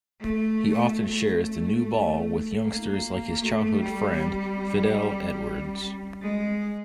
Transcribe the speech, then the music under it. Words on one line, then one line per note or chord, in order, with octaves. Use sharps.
He often shares the new ball with youngsters like his childhood friend Fidel Edwards.
A3
A3
A#3
A3
G3
G#3